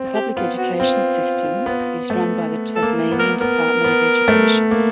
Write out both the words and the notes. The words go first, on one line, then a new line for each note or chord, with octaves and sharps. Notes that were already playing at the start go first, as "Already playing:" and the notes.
The public education system is run by the Tasmanian Department of Education.
Already playing: C4
G4
B3 F4
F#4
C4 F4
B3
A3
A4
A#3
B3
A#4
B3 A#4
B3
A3
A#3